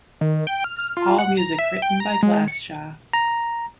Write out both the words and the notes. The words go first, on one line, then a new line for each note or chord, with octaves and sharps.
All music written by Glassjaw.
D#3
G5
F6
F6
F4
F#5
A#5
E5
G5
A#5
G#3
C#7
A#5